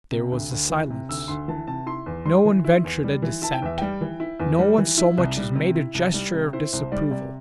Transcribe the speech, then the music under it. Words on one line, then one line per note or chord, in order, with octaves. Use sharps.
There was a silence; no one ventured a dissent, no one so much as made a gesture of disapproval.
C3
D2
D2
E3
C3
D2 E6
D2 C6
E3 A5
C3 A5
E4 C6
E2
G3 C6
E3
E4
E2
G3
E3
E4 A5
G5
E2 E5
G3 G5
E3
E4
E2
G3
E3
E4
C2
G3
C3
E4
C2
G3
C3
E4 C5
C2 C5
G3 D5
C3 D5